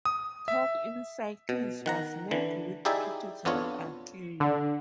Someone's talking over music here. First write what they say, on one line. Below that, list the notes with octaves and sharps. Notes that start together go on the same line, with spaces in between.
"Talk in circles" was met with critical acclaim.
D#6
E5
B2
D#3 F#5 A#5
D3 E3
D#4 E4 G4 G#4 D5 E5
F2 B3 D4 F4 C#5
D3